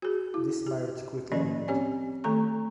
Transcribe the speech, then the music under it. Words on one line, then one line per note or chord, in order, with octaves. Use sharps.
This marriage quickly ended.
F#4 G#4
E4
G4
D#3 F3 A#3 C#4 D5 D#5
C4 C#4 G4 C#5 G#5
D#3 A3 A4 A#5 C#6